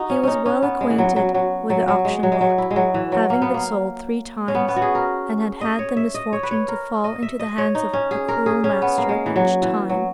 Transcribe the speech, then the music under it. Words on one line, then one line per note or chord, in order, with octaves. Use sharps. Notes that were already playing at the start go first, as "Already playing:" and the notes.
He was well acquainted with the auction block--having been sold three times, and had had the misfortune to fall into the hands of a cruel master each time.
Already playing: D#4 F#4
C#4
C#4 D#4
C#4
B3
G#3
E3
F#3
F#3
F#3
F#3
F#3
G#3
F#3
G#3
F#3
E4
G#3
F#3
E3
F#3
A#3
B3
A#3
C#4
B3
B3
F#4
G#4
A#4
D#5
C#5
E5
D#5
C#5
B4
C#5
A#4
D#5
E5
D#5
C#5
D#4
C#4
G#4
A#4
G#4
C#4
B3
A#3
G#3
E3
F#3
E3
F#3